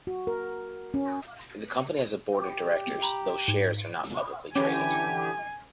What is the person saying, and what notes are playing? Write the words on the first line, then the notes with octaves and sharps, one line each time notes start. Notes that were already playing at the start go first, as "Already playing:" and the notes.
The company has a Board of Directors though shares are not publicly traded.
F#4
A#4
C#4
G4
A#5 B5
G#2
D3 E3 C#4 G4 G#5